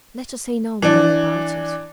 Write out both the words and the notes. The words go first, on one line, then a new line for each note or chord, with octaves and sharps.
Let us say no more about it.
E3 D4